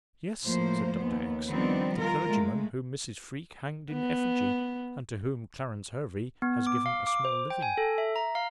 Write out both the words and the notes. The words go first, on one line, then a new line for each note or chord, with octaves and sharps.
"Yes," said Dr. X----, "the clergyman whom Mrs. Freke hanged in effigy, and to whom Clarence Hervey has given a small living."
A2 F3 A#3 C5
D#2 B3
D#3 F3 G3 B3 C4 D4
F4 A#4
G#3 A3
B3
B3
D6
F5
D6
C5
G5
G#5
A4
E5
A#5
F5